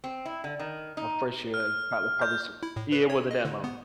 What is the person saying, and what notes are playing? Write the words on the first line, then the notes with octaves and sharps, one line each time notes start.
my first year in college, probably so yeah, it wasn't that long.
C4
E4
D3
D#3
D#4
F6
G6
E4
A2
B4
C#5
D#5
D3
B3